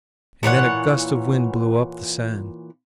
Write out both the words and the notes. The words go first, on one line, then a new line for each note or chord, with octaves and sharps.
And then a gust of wind blew up the sand.
A#2 E3 C#5 F#5